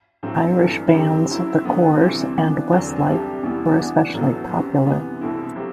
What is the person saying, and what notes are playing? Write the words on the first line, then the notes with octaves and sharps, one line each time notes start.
Irish bands The Corrs and Westlife were especially popular.
A2 F#3 C4
G2 E3 A3
D3 F#3 C4 G4
F#2 F#3 C4 E4
D3 F#3 B3
D2 C3 E3 G3 C4
E3 B3 D4
E2 D3 F#3 C4
C2 C3 G3 D4 G4
E2 B2 G3 B3 E4
E3 B3 D4 F#4
A2 F#3 B3 F#4 A4
F#2 F#3 C4 G4
C3 E3 B3
C2 B2 A3 C4 E4
C3 F#3 C4 G4